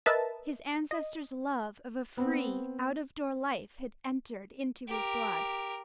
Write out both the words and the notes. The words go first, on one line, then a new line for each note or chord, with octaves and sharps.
His ancestors' love of a free, out-of-door life had entered into his blood.
A#4 B4 D#5 E5 A5
D#5
B3 C4
G4 A#4